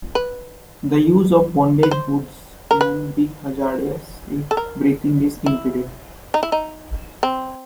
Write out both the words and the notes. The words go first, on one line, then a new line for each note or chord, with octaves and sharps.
The use of bondage hoods can be hazardous if breathing is impeded.
B4
B4
C5
A#4
B4
A4
A#4
E4
D#4
E4
D#4
C4